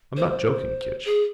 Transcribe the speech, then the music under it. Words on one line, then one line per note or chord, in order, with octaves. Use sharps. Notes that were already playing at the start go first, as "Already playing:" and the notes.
I'm not joking, Kinch.
C5
G#4